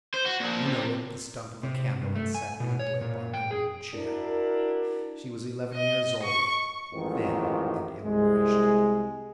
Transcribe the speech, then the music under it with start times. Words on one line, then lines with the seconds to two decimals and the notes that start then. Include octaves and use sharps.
Lena lit the stump of a candle and sat limply upon her wooden chair. She was eleven years old, thin and ill-nourished.
0.14 C5
0.25 F#4
0.40 A#2 F3
0.64 C3
1.63 C3
2.02 G2
2.16 A3
2.35 G#5
2.60 B2
2.79 C#5
3.01 A#2
3.33 G5
3.51 G#4
3.95 D4 E4 F#4 A#4
5.74 D#5
6.23 C#6
6.93 A1 F2 G#2 D#3 E3
8.04 C2 G#3